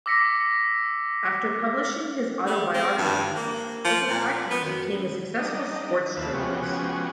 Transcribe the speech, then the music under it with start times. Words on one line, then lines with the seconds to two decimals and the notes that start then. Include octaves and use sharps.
After publishing his autobiography, Ototake became a successful sports journalist.
0.06 D6 E6 A#6 B6 C#7
2.47 G3
2.74 C4
2.98 G2
3.37 A#3
3.85 F3
4.10 A#2
4.51 B3
4.64 F#2
5.39 G3 D4 D#4 D#5
6.17 D#2 A#3 F4 B4 E5 A5
6.33 F3 G#3 B3 C#4 F#4 G4